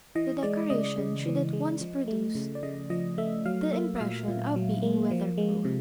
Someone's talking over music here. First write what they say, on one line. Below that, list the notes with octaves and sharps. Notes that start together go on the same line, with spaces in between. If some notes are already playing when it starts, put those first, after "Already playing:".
The decoration should at once produce the impression of being weather-proof.
E3 D#5
G#3 D5
C#3 D#5
C#3
E3
G#3
F3
A3
C#3
D5
C#3 D#5
F3 D#5
A3 E5
F#3 F5
A#3 E5
E5
A#2 F5
A#2
F#3
A#3
F3
G#3
C3